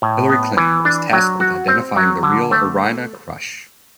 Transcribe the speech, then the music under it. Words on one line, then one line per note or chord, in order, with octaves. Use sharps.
Hillary Clinton was tasked with identifying the real Irina Krush.
A2
B3
E3
D4
F#3
F#4
C4
F#3
D3
A3